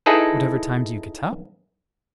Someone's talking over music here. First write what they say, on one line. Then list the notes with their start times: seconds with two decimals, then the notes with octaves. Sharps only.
"Whatever time do you get up?"
0.06 D#4 E4 G#4 A4 B4